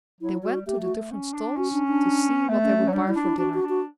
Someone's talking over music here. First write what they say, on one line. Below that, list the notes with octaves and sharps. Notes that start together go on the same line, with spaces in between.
They went to the different stalls to see what they would buy for dinner.
F#3 E4
G3 F#4
A3 G4
F#4
C#4
D4
C#4 F#4
D4
D4
A3 B3
C#4
C#4
F#3
G3 D4
E4
D4
E4
D4 F#4
F#4
D4
F#4